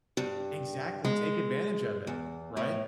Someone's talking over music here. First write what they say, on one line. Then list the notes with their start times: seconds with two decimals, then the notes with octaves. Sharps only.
Exactly, take advantage of it, right?
0.17 G2
1.05 G#3
2.07 E2
2.57 A2